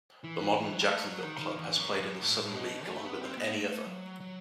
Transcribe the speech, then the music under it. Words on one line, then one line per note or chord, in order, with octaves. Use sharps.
The modern Jacksonville club has played in the Southern League longer than any other.
E3
F#3
G3
A3
F#3
D#3
D#3
E2
F#2
F#2
A2
B2
A3
B3
C4
B3
A3
F#3
F#3